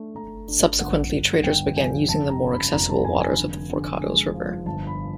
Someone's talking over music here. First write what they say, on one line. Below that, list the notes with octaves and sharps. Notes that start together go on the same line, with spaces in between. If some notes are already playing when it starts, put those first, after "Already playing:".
Subsequently, traders began using the more accessible waters of the Forcados River.
Already playing: A3 D4
A3 A#5
D4
G1 F#5
G1
G1 G5
F3 G#5
F1 A5
A#5
C#3
B5
F1 A#5
A5
F1 G#5
G#5
D3
D3
G#3
F3
G1 A5
B5